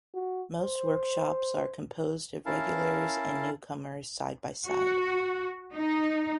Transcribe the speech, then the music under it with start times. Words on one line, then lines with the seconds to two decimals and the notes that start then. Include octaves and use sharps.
Most workshops are composed of regulars and newcomers side-by-side.
0.15 F#4
0.61 C5
2.46 C#4 E4 A#4 F5 A5
4.67 F#4
5.74 D#4